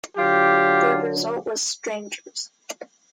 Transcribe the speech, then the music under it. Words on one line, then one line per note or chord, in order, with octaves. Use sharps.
The result was "Strangers".
D3 F#3 F4 G4